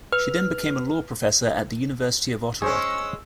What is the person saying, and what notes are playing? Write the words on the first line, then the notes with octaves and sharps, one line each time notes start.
She then became a law professor at the University of Ottawa.
B4 F6
G#3 C#4 G#4 C5 C#6 E6